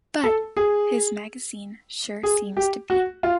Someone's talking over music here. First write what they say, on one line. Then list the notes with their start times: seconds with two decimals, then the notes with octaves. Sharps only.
But, his magazine sure seems to be.
0.24 A4
0.57 G#4
2.23 G#4
2.57 G4
2.90 F#4
3.23 F4